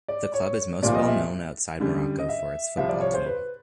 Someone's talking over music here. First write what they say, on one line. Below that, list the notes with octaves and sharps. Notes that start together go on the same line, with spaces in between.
The club is most well known outside Morocco for its football team.
D5
C#5
C2 A#2 F3 D5
D#5
E5
F#2 D3 G3
D#5
E5
C2 C3 F3 E5
D5
C#5
C5
B4